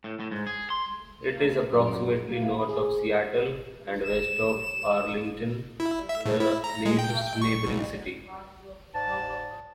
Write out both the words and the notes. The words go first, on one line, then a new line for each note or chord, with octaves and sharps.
It is approximately north of Seattle, and west of Arlington, the nearest neighboring city.
A2
A2
G#2
G#4
C6
F#2
A#3
G#4
E7
E4
E5
A2
E4
A#5
G#3
G5
C#6
B1
G#2 D5 A5